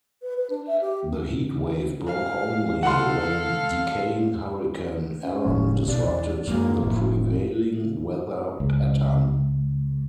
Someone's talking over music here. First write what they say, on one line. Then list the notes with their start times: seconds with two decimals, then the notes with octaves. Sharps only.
The heat wave broke only when decaying Hurricane Allen disrupted the prevailing weather pattern.
0.22 B4
0.37 B4
0.50 D4
0.67 E5
0.81 G4
2.07 F5
2.83 A4 F5 F#5 C6
5.22 C#4
5.45 F1 A2 G#3
5.87 B1 B2 D5
6.05 E2
6.47 F#2 F#3 G#3 A#3
6.82 F1 F2 A2
8.60 C#2